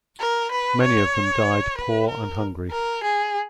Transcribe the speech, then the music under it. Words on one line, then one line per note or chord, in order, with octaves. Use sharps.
Many of them died poor and hungry.
A#4
B4
C#5
B4
A#4
A#4
G#4